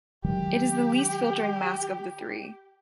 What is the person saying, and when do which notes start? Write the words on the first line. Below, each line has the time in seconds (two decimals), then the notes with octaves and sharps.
It is the least filtering mask of the three.
0.24 D#3 F#3 G#3 G4